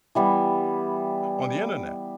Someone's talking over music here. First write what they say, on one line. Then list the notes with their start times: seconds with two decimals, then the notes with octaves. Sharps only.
on the Internet."
0.15 E3 G3 B3